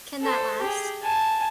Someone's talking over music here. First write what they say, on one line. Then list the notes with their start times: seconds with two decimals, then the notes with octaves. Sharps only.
Can that last?
0.22 A4 C5
0.61 G4 G#4
1.03 G#5 A5